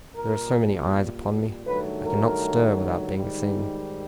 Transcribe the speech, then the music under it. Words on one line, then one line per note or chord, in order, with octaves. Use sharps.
"There are so many eyes upon me, I cannot stir without being seen."
A#2 G3 A#4
G2 D#3 F#3 A3 B4
A#4
G#2 D#3 G3